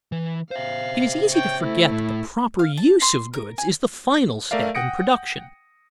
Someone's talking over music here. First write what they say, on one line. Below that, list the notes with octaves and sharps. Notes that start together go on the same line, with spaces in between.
It is easy to forget that the proper use of goods is the final step in production.
E3
C5 E5 F5
C#5 G5
A3 E4
A2
F5
A5
C6
A#4
G#5
A3 A#4 D5 E5 F5
F#5 G5 D#6 A#6 C#7 D7